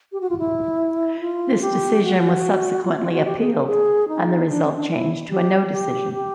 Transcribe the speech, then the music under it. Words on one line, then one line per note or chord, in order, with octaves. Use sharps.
This decision was subsequently appealed and the result changed to a No Decision.
G4
F#4
F4
E4
F4
G4
F#4
F4
F4
F#4
G4
G#4
A#4
G#4
D#4
D4
C#4
D4
E4
G4
G4
G4